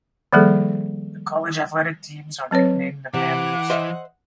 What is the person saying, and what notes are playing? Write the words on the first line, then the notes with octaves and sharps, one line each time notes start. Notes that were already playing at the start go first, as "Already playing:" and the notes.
The college athletic teams are nicknamed the Panthers.
D#3 F3 G3 A#3 G#4 A4
F#3 C4 B4 C#5
C3 E3 F#5 D6
C5 D#5 E5